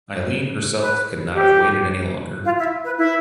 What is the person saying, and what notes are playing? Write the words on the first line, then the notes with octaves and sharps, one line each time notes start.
Eileen herself could not have waited any longer.
B4
G4
F4
E4
B4
E4